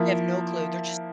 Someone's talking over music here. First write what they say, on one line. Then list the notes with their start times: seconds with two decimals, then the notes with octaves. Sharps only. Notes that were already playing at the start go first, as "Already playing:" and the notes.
They have no clue, they're just
Already playing: F3 A#3 E4